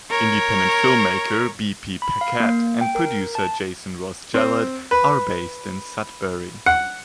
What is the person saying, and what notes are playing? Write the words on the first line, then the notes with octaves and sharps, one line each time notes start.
Independent filmmaker B. P. Paquette and producer Jason Ross Jallet are based in Sudbury.
A#4 C#5
B5
F5
A#3
G5
A#4
A5
C4
B4
F#5